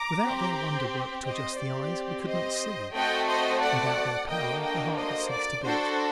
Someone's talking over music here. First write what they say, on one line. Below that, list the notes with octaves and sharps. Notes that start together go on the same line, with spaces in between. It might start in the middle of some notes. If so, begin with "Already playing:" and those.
Without their wonder-work to adjust the eyes we could not see; without their power the heart would cease to beat.
Already playing: A#5 D6
C4 G4
C5 D#5
C4 G4 D5
C5 D#5
A3 C4 F#4 A4 D#5 G5
C5 D#5
D5 F#5
A#3 D4 F#4 A4 D#5 G5
D#5 G5
C5 D#5
D5
D4 F#4 A4 C5